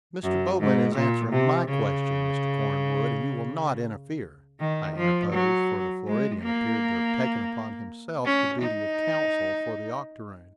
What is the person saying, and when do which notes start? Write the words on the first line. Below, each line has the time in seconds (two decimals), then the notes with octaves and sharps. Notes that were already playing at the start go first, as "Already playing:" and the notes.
"Mr. Bowman is answering my question, Mr. Cornwood, and you will not interfere," I interposed, for the Floridian appeared to have taken upon himself the duty of counsel for the octoroon.
0.23 F#2
0.60 G#2
0.96 A#2
1.32 C3
1.68 C#3
4.60 D#3
4.96 F3
5.33 F#3
6.07 G#3
6.42 A#3
8.25 C#4
8.61 D#4